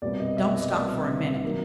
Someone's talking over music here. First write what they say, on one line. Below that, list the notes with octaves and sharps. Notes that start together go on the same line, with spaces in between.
Don't stop for a minute.
C2 B2 G3 B3 D5
D#5
E5
D#5
C2 B2 G3 B3 D5
D#3 F#3 A#3